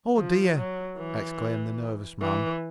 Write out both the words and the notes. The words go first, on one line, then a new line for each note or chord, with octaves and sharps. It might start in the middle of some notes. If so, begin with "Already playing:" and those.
"Oh, dear!" exclaimed the nervous man.
F3
F#3
E3
E3